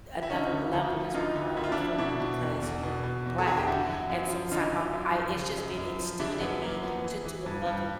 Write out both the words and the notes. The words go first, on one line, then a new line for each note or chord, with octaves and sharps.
another level is required from you, because you're black. And so it's, like, I'm I it's just been instilled in me to do above and
E4
D3 C#4 D#4
D2
D2
F3
D3 D#4 F4
D2
D2 E4
F4
D4 E4
F3
B2 D4 E4
B2
E2
E2
B2
B2
E2
A4
E2 G#4
G4
D3 E4 F#4
F#2
F#2
F3
D3 D#4 F4
F#2
F#2
F3
C#3
F#2
F#2
F3
C#3 D4 E4
F#2 B3
F#2 A#3
F3 B3
E3
E3
G2
G2